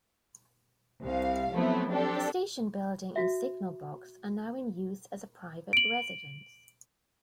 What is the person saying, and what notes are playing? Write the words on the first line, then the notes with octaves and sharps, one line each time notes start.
The station building and signal box are now in use as a private residence.
C2 F5
F3 F#3 A3 B3 C4 E4
C4 D4 G4 A4
F#4 E5
D7 F#7